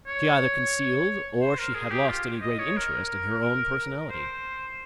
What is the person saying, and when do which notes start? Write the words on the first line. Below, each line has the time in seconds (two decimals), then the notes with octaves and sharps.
She either concealed or she had lost any great interest in her own personality.
0.07 C#5
1.41 C5
1.59 A#4
1.75 G#4
1.91 G4
2.08 F4
2.42 D#5
2.59 C#5
2.76 A#4
4.10 C5